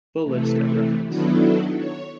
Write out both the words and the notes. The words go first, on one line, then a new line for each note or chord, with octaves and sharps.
Full list at reference.
C3 E3 A3
D#3 F#3 B3 D4 E4 A4
C#5